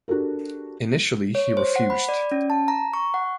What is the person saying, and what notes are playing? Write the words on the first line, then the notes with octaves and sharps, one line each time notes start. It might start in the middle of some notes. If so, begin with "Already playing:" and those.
Initially he refused.
D4 F#4 G4 A4 A#4
C#5
C5
F#5
B5
D5
C#4
A5
A#5
C#6
F#5